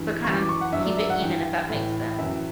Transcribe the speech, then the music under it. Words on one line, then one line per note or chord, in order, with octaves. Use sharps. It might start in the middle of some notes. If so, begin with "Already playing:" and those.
So, kinda keep it even if that makes sense.
Already playing: G2 E3
F#2 E3 C#6
D6
C#6
F#5
G2 F#3 E5
D5
E5
F#5
G2 E3 G5
A2 E3
F#2 E3 E5